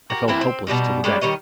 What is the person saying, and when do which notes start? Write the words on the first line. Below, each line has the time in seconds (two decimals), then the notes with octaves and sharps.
I fell helpless to the deck.
0.10 F#4 G4 A#4
0.28 E3 A#3 C4 E4
0.41 C4
0.67 B2 E3 G3 D#4
1.04 G3 G#3 C#4 D4
1.21 D#3 G3 C#5 D#5